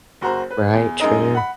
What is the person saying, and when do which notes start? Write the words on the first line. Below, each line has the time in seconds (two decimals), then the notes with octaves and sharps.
Right, true.
0.21 F#1 F#4 C5 A#5
0.51 B4
0.73 E2
1.00 F#2 G#3 D#4 A#4 D#5
1.35 F#5 B5